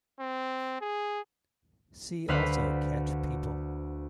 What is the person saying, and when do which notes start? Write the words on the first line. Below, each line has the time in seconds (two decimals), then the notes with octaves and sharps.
See also Ket people.
0.20 C4
0.81 G#4
2.28 D2 B4 C5 F5 F#5 B5